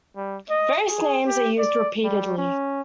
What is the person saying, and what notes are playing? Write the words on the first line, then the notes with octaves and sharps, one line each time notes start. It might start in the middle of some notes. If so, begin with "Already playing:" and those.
Various names are used repeatedly.
G3
D#5
G#4
G4
D5
G3
C#4